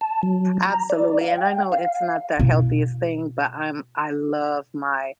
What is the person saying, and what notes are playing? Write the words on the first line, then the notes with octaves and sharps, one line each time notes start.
Absolutely, and I know it's not the healthiest thing, but I'm I love my
A5
F#3
A#5
D5
F5
G5
F5
B2 E4